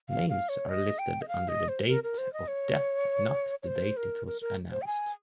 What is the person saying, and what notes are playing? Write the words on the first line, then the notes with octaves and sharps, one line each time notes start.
Names are listed under the date of death, not the date it was announced.
F5
F5
C#5
D#5
G5
D#5
F5
D#5
C5
A#4
A#4
C5
D#5
C#5
C#5
C5
A#4
A#4
A#4
C5
G5
G#5